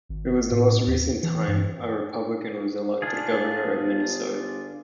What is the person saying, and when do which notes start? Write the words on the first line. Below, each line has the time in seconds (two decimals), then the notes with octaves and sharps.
It was the most recent time a Republican was elected governor of Minnesota.
0.09 G#1
0.52 A2
0.87 D#2
1.23 E3
1.47 G2
3.02 D4 F4 G#4
3.73 G1